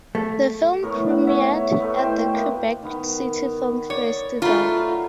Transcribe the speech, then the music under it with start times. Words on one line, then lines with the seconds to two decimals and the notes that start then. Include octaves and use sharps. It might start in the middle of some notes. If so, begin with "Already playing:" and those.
The film premiered at the Quebec City Film Festival.
0.15 A3
0.83 A2 B3 A#4 C#5
1.10 F#5
1.27 C#5 E5
1.80 A2 A3 B3
1.98 B2 C5 G5 C6
2.34 A#3 B3
2.83 D#3 B3
3.90 C#5 D5
4.42 F#3 A3 F4 A#5 B5